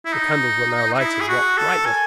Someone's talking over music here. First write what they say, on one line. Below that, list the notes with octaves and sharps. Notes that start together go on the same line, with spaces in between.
The candles were now lighted--what brightness!
E4
D#4
D#4
E4
G#4
F#4
A4
G#5